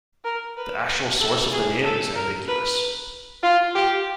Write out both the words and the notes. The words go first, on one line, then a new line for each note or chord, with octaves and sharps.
The actual source of the name is ambiguous.
A#4
B4
A4
G#4
A4
A#4
B4
F4
G4